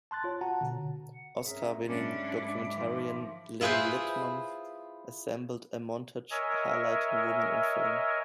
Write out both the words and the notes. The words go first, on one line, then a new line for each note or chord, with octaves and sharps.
Oscar-winning documentarian Lynne Littman assembled a montage highlighting women in film.
A5 C6 F#6 A6
F4 C#5
F#4 F#5 A5 A#5
B2 D3
F#5
G#2 C4 C#4 G#4 A#4 E5
G#2 F#3 G#3 C#4 D4 E5 B5 D6
D#3 F3
E4 F4 G#4 B4 C5
A#4 C#5 D#5 E5 G#5